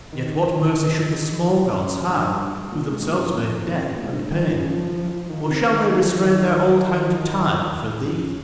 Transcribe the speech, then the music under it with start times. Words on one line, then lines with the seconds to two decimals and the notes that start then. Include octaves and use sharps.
Yet what mercy should the small gods have, who themselves made Death and Pain; or shall they restrain their old hound Time for thee?
0.13 D#3
1.72 C#3
2.08 G#2
2.12 G2
2.31 G2
2.71 A#2
2.91 G#2
3.10 G2
3.19 F2
3.36 F2
3.80 C#3
3.87 C3
3.95 A#2
4.02 G#2
4.10 G2
4.30 D#3
4.49 C#3
4.69 F3
4.89 F3
5.09 F3
5.29 D#3
5.48 C3
5.68 D#3
5.95 F3
6.21 D#3
8.07 C#3